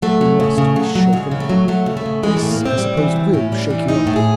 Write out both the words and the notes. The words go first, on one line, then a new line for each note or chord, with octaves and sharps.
You must be shaken up. This I suppose will shake you up.
F#3 A3
F#3
C#3
C#3
F#3
F#3
C#3 G#3
C#3
A3
F#3
F#3 A3
C#3
A3
C#3
E3 G#3
A3
A2
A#3
A2 C4
G3
E3
A2
A2 C#4
G3
D4
E3
A2 D#4
A2
G#4